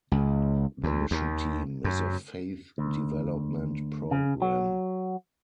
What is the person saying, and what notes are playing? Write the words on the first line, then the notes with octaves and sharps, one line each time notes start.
The Mission Team is a faith development program.
C#2
D2
D#2
F#2
D2
C#3
F#3